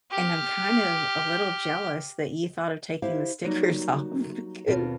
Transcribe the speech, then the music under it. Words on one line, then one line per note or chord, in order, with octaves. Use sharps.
and I'm kind of a little jealous that you thought of taking the stickers off because
G4 F6
E4 G4 C5 E5 F5
F#3 G3 A#3 D#4 F#4
D#2 B2 C4 D#4 F4 A4